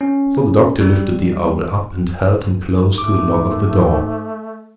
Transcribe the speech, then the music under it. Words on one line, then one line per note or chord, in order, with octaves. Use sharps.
So the Doctor lifted the owl up and held him close to the lock of the door.
C#4
G3
G#2 A3 D6